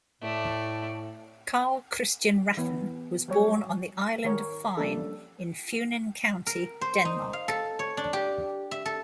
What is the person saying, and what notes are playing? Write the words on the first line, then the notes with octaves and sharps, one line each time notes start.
Carl Christian Rafn was born on the island of Fyn, in Funen County, Denmark.
A2 A3 D5
E3 B3
F#3 G3 C#5
D#3 A#4 C#5
F3 G3 A#3 C#4 D4 A4
A#4
C5
D#4
F5
A4
C#5
D4
G4
E5
A4